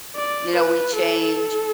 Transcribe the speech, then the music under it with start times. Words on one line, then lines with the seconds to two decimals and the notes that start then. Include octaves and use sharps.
You know we changed
0.16 D5
0.56 B4
0.96 A4